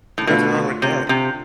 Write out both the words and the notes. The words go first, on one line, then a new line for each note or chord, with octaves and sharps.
Nothing wrong with that.
A2
B2 D3 A3 D4 F4
C3
C3